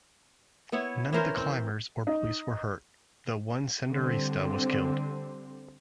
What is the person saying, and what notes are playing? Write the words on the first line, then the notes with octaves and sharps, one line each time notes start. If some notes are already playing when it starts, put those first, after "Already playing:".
None of the climbers or police were hurt, though one Senderista was killed.
B3 E4 C#5
E3 C#4 A#4 C5
C4
D#4
D3 G3 C4